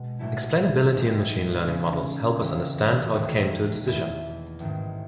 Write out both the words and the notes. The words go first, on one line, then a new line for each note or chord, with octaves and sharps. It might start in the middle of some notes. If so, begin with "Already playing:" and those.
Explainability in machine learning models help us understand how it came to a decision.
Already playing: B2 G#3
B1 A2 F#3 A3 E4
A1 A2 G#3 D#4
C#3 G#3 C#4
D#2 C#3 E3
E1 D#2 D#3 A3 D#4
E2 D#3 A3 E4
A1 G#2 D#3